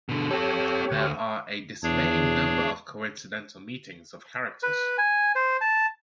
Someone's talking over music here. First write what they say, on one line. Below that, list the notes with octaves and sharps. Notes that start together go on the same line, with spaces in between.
There are a dismaying number of coincidental meetings of characters.
B2 D3
C4 G4 A4 C#5
D2
E2 D4 G#4 C#5
B4
G#5
C5
A5